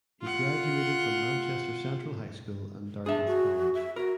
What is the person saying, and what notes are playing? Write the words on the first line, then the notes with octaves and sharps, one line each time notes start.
He graduated from Manchester Central High School and Dartmouth College.
F4 F#5
D4 G#4 E5
F#4
E5
F#4 A#4